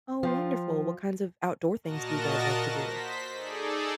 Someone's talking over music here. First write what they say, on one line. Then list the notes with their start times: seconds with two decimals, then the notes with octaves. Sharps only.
Oh, wonderful. What kinds of outdoor things do you guys like to do?
0.23 F3 F4 G5 C6
1.83 A#2 F#4 A#4 D#5 A5 A#6
2.82 C5 B6
3.34 D#4 G#4 A4 D5